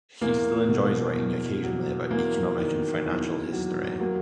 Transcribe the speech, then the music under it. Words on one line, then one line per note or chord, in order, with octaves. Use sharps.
He still enjoys writing occasionally about economic and financial history.
E2 A#3
B2
E2
F#3
E2 A#3
D#3
E2
F#3
F#3 A#3